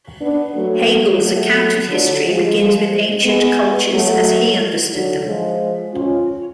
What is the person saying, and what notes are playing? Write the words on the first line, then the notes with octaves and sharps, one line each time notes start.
Hegel's account of history begins with ancient cultures as he understood them.
B3 D4
F#3 A3
F#3 A3
D3 F#3
F3 G#3
G#3 B3
F#3 A3
D3 F#3
F3 G#3
C#4 F4